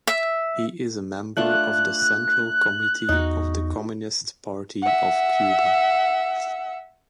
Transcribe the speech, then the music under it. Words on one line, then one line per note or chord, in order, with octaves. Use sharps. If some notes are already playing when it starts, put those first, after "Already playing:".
He is a member of the Central Committee of the Communist Party of Cuba.
E5
A3 D4 F4 F#6
E2 D#4 F#4
E5 F#5